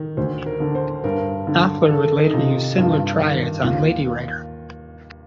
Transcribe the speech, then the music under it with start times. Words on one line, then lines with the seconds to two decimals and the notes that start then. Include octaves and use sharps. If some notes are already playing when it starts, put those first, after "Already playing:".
Knopfler would later use similar triads on "Lady Writer".
Already playing: D#3
0.17 D2 C5
0.46 A#4
0.60 D3
0.75 C5
1.04 G2 A#4
1.47 D3
1.90 D#3 A4
2.27 D#4
2.34 C3 F4
2.77 G2 F4
3.20 D#3
3.64 D#2 F4